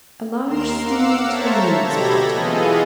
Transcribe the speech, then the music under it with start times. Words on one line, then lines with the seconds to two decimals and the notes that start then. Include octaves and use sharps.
A large steaming tureen was brought in.
0.47 D#2 A#4 A#5 C6 C7 E7
0.80 F5 F#5 D6 E6
1.25 A4 C5 C#5 E5 A5 A#5
1.80 B2 G4 A4 B5 G#6 A#6
2.31 E3 B3 F4 G#4 A4 D#5